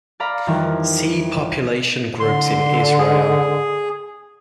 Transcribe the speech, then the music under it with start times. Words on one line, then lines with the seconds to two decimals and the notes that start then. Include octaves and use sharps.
See Population groups in Israel.
0.20 D5 F5 A#5 B5
0.47 F2 D#3 E3 G3
2.20 D3 C6
2.99 G#4